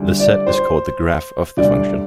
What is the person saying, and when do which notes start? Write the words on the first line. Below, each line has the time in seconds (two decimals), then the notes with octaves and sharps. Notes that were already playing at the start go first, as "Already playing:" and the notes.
The set is called the "graph" of the function.
Already playing: D2 D3 G3
0.20 D5
0.47 C5
1.57 D2 D3 G3 D5